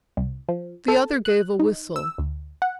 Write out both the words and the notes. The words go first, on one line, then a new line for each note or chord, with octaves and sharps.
The other gave a whistle.
C2
F3
A4
F#6
D#4
E6
D2
F#5